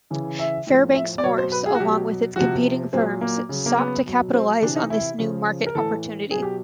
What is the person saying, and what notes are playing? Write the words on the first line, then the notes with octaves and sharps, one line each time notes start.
Fairbanks-Morse, along with its competing firms, sought to capitalize on this new market opportunity.
C#3 E3
E5
A2 F3
E5
D5
B2 F#3 C#5
C5
B4
G#4
F#4
B2 F#3 G4
C3 F3 F#4
A#2 F#3 C4
A#3
C#3 F#3
A#3
B3
B2 F#3
C4
C3 E3 D4
D#4
E4
C#3 F3
A#4
A2 E3 A4
B2 F#3 G#4
G4